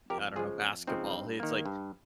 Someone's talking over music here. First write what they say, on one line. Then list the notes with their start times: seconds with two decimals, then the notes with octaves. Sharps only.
I don't know, basketball." It's like,
0.10 F2 G4 A#4
0.36 C#3 F3 G#3 F4 G#4
0.62 F2 C#4
0.87 C#3 F3 G#3 C4 D#4
1.14 G2
1.40 D#3 A#3
1.66 G2